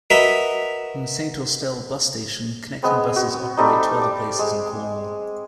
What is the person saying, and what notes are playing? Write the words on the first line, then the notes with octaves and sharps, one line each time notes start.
From Saint Austell Bus Station connecting buses operate to other places in Cornwall.
F#4 A#4 B4 D#5 E5
G#3 B3 C4
F#4
G3 A3 C4 D#4
D6
G#3